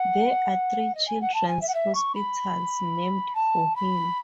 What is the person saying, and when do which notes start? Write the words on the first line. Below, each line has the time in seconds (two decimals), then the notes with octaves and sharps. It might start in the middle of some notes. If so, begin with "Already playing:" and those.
There are three children's hospitals named for him.
Already playing: F#5
0.94 D#5
1.07 G#5
1.21 F#5
1.34 A5
1.48 G#5
1.61 E5
1.68 F#5
1.74 E5
1.94 C#6
2.15 B5
3.35 A5
3.75 B5